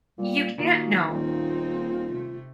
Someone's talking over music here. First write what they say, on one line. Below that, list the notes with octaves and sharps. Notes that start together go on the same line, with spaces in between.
you can't know.
A#2 G3
A#2 D#3 F#4
D#1 A#3 C4 D#4 F4
C3 A3